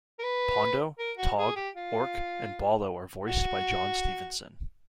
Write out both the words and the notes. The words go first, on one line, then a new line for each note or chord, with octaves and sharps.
Pondo, Tog, Ork, and Bollo are voiced by John Stephenson.
A#4
B4
A#4
F#4
G#4
G4
F4
F#4